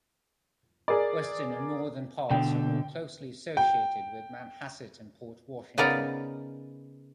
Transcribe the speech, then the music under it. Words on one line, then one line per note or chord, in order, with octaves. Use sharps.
Western and northern parts are more closely associated with Manhasset and Port Washington.
G#4 A#4 D5
B2 D3 G5
G5
C#3 B3 D#4 A#4 D5 A#5